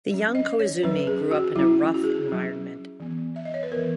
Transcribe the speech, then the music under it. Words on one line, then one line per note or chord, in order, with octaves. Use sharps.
The young Koizumi grew up in a rough environment.
F#3 C#4
D#5
C#5
F#3 C#4 B4
G#4
F#4
F#3 C#4 E4
F#4
G#4
F#3 C#4
E3 B3
E5
D#5
C#5
B4
E3 B3 A#4